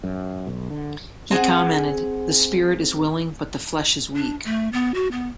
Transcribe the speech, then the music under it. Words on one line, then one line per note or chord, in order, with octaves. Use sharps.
He commented: "The spirit is willing, but the flesh is weak".
F#2
B1
D3
C4 G#4 F#5 G#5
D4
A3
B3
F#4
B3